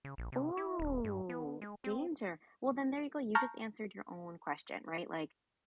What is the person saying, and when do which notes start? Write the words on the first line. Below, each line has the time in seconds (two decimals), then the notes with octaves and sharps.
Ooh! Danger. Well, then there you go, you just answered your own question, right? Like,
0.05 C#3
0.18 A#1
0.32 C3
0.57 E4
0.79 D#1
1.04 G2
1.29 B3
1.62 G#3
1.84 C4
3.35 A5 A#5 C#6 F6 G6 A#6